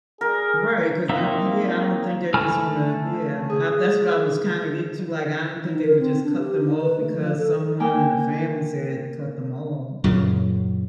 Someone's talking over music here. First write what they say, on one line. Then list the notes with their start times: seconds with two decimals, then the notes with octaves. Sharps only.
Right, 'cause no Yeah, I don't think they're just wanna yeah, uh, that's what I was kinda getting to, like, I don't think they would just cut them off because someone in the family said "Cut them off," so
0.21 G#4 A#4
1.09 A#3 C4 D#4 E5
2.34 A3 A4 G#5 B5 F6
3.50 G#4
5.65 D#4
5.84 A#4
5.99 C4
6.24 D4
6.38 G4
6.58 D#4
6.81 B4
7.00 A3
7.16 F3
7.39 A4
7.80 A#3 G5 G#5
10.04 F#2 A#2 C#3